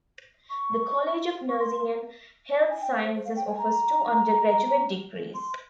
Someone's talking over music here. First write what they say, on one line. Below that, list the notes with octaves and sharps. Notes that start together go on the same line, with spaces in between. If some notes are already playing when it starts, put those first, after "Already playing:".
The College of Nursing and Health Sciences offers two undergraduate degrees.
C#6
C#6
C6
C6
G#5
G5
F5
C5
C5
F5
G5
G#5
A#5
C6